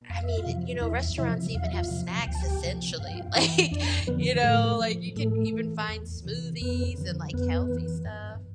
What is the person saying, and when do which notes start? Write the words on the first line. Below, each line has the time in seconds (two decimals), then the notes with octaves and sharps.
I mean, you know, restaurants even have snacks essentially. Like, you know, like, you could even find smoothies and, like, healthy stuff.
0.10 F2 F5
0.23 E5
0.37 F4 F5
0.46 C3 F3
0.81 E2 E4 E5
1.18 C3 F3 E4 E5
1.54 E2 F5
1.64 E5
1.73 F4 F5
1.90 C3 F3
2.26 D2 G5
2.35 A5
2.41 G4 G5
2.64 C3 F3
2.99 G2 F5
3.08 G5
3.15 F4 F5
3.35 E3 E4 E5
3.71 F2 D4 D5
4.07 D3 F3 B3 B4
4.43 A2 A3 A4
4.80 F3
5.16 A2 A3 A4
5.53 E3
5.88 E2
6.25 C3 E3
6.61 F2 B3 B4
6.98 D3 F3
7.33 F2 B3 B4
7.70 E3
8.05 G2